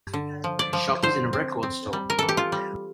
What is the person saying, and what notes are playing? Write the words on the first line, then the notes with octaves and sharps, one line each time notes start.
Shoppers in a record store.
D3
F3
D5
F3
D3 C5
C4
C4
G3
A#4
E3 A4
G4
F4
G3